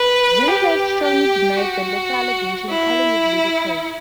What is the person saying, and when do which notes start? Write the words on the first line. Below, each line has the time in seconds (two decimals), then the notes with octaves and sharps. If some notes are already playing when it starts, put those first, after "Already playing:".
Villeneuve strongly denied the latter allegation, calling it ludicrous.
Already playing: B4
0.47 G4
1.03 G4
1.58 F#4
2.69 E4